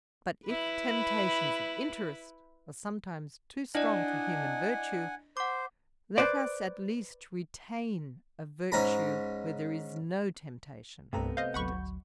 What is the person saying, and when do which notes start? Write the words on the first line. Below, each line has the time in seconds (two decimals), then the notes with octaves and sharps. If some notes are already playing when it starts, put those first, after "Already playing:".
But if temptations of interest are sometimes too strong for human virtue, let us at least retain a virtue where there is no temptation to quit it.
0.46 E4 B4
3.75 D4 E4 D5 D#5 F#5 G#5
5.37 C5 F#5 D6
6.18 B4 C5 D5
8.72 G#2 C#4 A#5 B5
11.13 C2 G2 C3 A3 B3 G5 A#5
11.37 C5 D#5 F5 G6
11.54 G#1 D2 F#3 F#5 B5 C#6